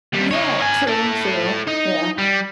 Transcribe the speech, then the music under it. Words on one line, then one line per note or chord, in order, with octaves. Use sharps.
Yeah, true, true. Yeah.
D#2 G3
D#4 C#5
A#4 G#5
E4 A4
D#4
G3